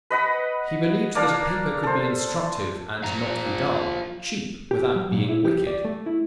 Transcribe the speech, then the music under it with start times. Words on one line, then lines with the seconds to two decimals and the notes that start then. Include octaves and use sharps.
He believed that a paper could be instructive and not be dull, cheap without being wicked.
0.10 B4 D#5 F#5 B5
1.15 A#3 D4 A#4 F5
1.83 A4 C5
3.04 F3 A#5
4.71 G4
4.96 F#3
5.12 A#2
5.29 E4
5.45 G4
5.67 D5
5.85 A3
6.06 E4